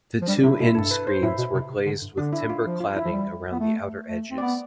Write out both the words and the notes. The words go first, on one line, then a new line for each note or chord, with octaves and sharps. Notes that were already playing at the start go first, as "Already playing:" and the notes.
The two end screens were glazed with timber cladding around the outer edges.
F3
G3 D4
C3 E4
B2 E4
G2 A4
B4
C5
A2 E4
B2
C3
C3
D3
G2
D3 D4
E4
F4
F3
F4
E4
F3
G3
B3
A3
A3
C4
B3 D5